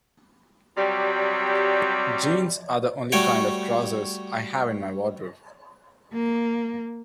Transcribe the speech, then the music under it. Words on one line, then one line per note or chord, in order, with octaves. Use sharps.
Jeans are the only kind of trousers I have in my wardrobe.
C3 F#3 G3
G3 A3 F#4 C#5 G5
A#3